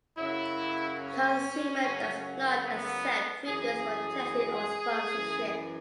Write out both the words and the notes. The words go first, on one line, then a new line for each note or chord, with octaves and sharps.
Consumer does not accept free goods for testing or sponsorship.
F#2 C#3 F#3 E4
C#4
F#2 C#3 F#3
B3
F#2 E3 G#4
F#2 E3